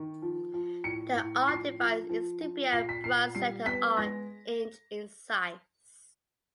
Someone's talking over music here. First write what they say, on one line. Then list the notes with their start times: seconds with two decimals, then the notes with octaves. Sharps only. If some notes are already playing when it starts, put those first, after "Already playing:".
The "R" device is to be a bronze letter "R", inch in size.
Already playing: D#3
0.22 F3
0.54 F3
0.84 A2 C#7
1.15 A2
1.47 F3 C7
1.79 F3
2.09 F3
2.41 F3
2.72 A#2 C7
2.89 B6
3.04 A#2 C7
3.35 G3 C7
3.66 B3 B6
3.97 G#3 A#6